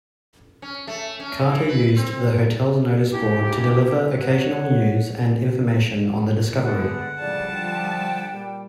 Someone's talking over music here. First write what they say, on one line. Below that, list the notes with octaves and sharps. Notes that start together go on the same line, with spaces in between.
Carter used the hotel's noticeboard to deliver occasional news and information on the discovery.
C#4
A3
C#4
E3
B4
C4
A3 A#3 C#4 D#4 E4 G4
C#5 F#5
D3 G#3 A3 B3 F#5
A2 C#3 F3 G3 D5 A5
D3 F3 G5
A#2 G3